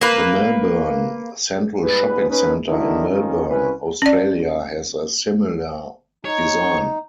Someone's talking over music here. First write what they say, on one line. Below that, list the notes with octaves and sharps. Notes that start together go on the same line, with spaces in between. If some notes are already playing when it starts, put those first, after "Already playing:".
The Melbourne Central Shopping Centre in Melbourne, Australia has a similar design.
A#3 B4
G#2 G3 G#4 B4
C#4 D#4 B4
D3 D#3 F#3 B3 D4 E4
F2 D#3 F3 C#4
C2 C#4 B4
C#4 D5
D#4 C#5